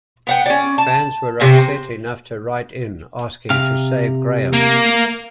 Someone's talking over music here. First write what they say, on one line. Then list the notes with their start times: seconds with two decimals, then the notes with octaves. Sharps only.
Fans were upset enough to write in, asking to save Graham.
0.27 B3 F#5 G5
0.46 C#4 D5
0.78 A5
1.40 C3 C4 C#4
1.58 C5
3.50 C3 F5
4.53 A#3